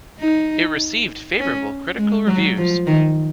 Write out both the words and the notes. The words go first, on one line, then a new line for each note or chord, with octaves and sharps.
It received favorable critical reviews.
D#4
C#4
G#3
F#3
F3
D#3